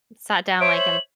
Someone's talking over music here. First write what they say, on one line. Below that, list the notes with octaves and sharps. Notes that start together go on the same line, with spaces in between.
sat down, like, and
C5 C#5 E5 D7
F#7